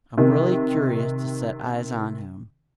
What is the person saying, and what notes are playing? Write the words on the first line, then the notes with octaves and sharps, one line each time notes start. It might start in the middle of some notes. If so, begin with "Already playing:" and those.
I'm really curious to set eyes on him.
C3 D#3